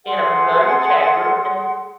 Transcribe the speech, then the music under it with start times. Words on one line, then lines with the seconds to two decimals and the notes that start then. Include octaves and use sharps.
in a Brazilian chat group, and
0.06 G#4 A4 F#5 C6